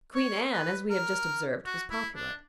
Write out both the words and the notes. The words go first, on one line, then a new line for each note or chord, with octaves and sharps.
Queen Anne, as we have just observed, was popular.
C#5
B4
A#4
F#4
E4
D4